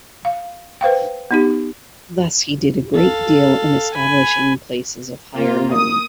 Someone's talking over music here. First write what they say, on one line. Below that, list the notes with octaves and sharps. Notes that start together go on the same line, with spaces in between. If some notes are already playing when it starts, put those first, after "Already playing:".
Thus he did a great deal in establishing places of higher learning.
F5
B4 C5 F5 G5
B3 D#4 G4
A4 F5
G#5 B5
A#3 F4
D#6